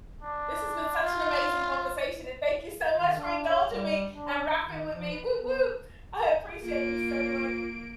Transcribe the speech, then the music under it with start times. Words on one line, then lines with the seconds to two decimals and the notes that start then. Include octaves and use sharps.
This has been such an amazing conversation, and thank you, so, much for indulging me and rapping with me! Whoop whoop! I appreciate you so much,
0.22 D4
1.02 F4
2.97 D#3
3.18 D4
3.48 C#5
3.70 G3
4.13 D4
4.64 D#3
4.93 F3
5.11 B4
5.39 B3
6.62 A#3 F4 D7